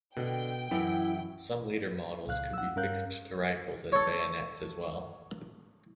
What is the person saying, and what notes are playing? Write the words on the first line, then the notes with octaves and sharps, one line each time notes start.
Some later models could be fixed to rifles as bayonets as well.
B2 D3 G5
F#2 E3 E4
C#2 A#2 F5 F#6
F#5 E6
G2 C#4 A#4 F5 F#6 G6
A4 C#5